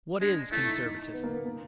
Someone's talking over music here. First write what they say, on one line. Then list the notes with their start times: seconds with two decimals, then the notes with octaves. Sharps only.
What is conservatism?
0.21 G#3 D4
0.52 A3 E4
0.68 D#4
0.83 D#4
1.13 B3
1.24 A#3
1.32 B3
1.46 A#3